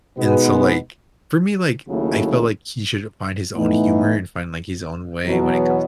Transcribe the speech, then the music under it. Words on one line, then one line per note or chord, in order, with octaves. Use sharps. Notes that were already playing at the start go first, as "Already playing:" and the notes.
and so, like, for me, like, I felt like he should find his own humor and find, like, his own way when it comes to telling
B2 G#3 B3 D#4
D#2 C#3 F#3 A3 E4
A2 E3 B3 D#4
E2 B2 F#3 B3